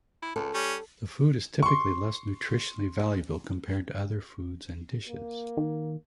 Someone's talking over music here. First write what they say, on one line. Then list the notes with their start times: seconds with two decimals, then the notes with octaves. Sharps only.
The food is typically less nutritionally valuable compared to other foods and dishes.
0.22 E4
0.36 C#2 A4
0.55 G3 C#4
1.63 C6 C#6
5.08 A#3
5.57 D#3